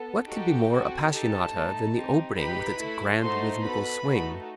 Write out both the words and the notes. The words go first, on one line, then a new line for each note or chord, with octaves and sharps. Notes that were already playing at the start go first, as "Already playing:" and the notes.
What can be more "appassionata" than the opening with its "grand rhythmical swing"?
Already playing: B3 A4
D#4 F#4 G4 A4 G5
C4 F#4 A4
D#4 G4 A4 A5
A3 D#4 A4
C4 D#4 G4
D#4 G4 B4 B5
A3 E4 A4
A3 D#4 F#4 A4 C5 C6
B3 F#4 A4 B4 B5
A3 D#4 F#4 A4